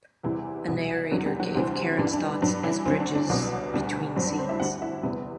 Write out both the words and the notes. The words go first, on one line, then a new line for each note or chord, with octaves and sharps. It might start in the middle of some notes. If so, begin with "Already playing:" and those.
A narrator gave Karen's thoughts as bridges between scenes.
E2 C3 E3 G3 E4
C2 B2 E3 F#3 E4
E2 D3 F#3 G3 F#4
G3 G4
F#3 F#4
D2 C3 E3 G3 C4
G2 E3 G3 D4
D4
G2 F#3 D4
E3 E4
D2 D3 F#3 C4
D4
D4
C2 B2 F#3
D2 D3 G3
G2 F#3 C4
D4
C4 C5
E4 E5
D2 D3 G3 F#4 F#5
E4 E5
E2 C3 G3 B3 B4